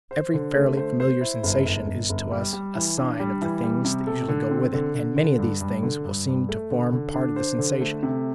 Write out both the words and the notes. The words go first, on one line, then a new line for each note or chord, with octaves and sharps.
Every fairly familiar sensation is to us a sign of the things that usually go with it, and many of these things will seem to form part of the sensation.
C5
D3
A3
C5
C5
E4
G1
G1
G1
G1
G3
G3
E3
D4
G3
E3
G3
C3
A4
D3
C4
D3
D3
D3
G2
G2
D3
G2
G2
A3
D3
D3
D4
C5
D3
A3
C3